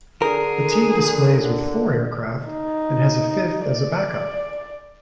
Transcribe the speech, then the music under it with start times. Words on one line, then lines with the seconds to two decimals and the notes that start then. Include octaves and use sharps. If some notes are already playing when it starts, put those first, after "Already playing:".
The team displays with four aircraft and has a fifth as a backup.
0.22 D3 G#4 A#4
2.49 D#4
3.67 D5